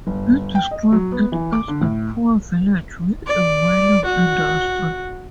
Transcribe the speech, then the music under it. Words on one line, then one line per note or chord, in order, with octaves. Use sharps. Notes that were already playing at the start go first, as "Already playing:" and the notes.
He described it as a "poor village" with a whaling industry.
G1
G5
D#5
F#3
B3
E3
D6
D3
A2
D5
F#4